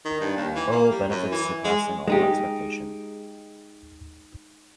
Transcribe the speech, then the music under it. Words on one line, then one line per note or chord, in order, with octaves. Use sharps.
O benefits surpassing all expectation!
D#3
G2
D#2
E3
A#3
G3
F#2
E3
G#3
G#3 D#4 G4